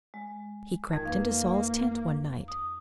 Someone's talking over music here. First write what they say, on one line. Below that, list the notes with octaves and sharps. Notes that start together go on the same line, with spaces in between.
He crept into Saul's tent one night.
G#3
F2 D#3 D#4 G#6
A#3 B4 F5
D#6